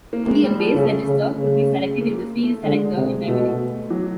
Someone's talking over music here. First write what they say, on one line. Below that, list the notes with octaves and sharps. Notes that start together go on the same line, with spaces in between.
Only a base register could be selected in the field selector in memory.
A#3
G#3
G3
F3
C#3 A3
C#3
C#3
A#3
A3
D3 G#3
C3
G#3
B2 A3
F#3